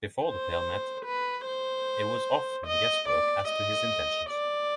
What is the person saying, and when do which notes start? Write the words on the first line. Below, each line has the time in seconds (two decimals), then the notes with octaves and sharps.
Before the pair met, it was often guesswork as to his intentions.
0.25 C5
1.06 B4
1.47 C5
2.67 D#5
3.09 D5
3.49 D#5
4.30 D5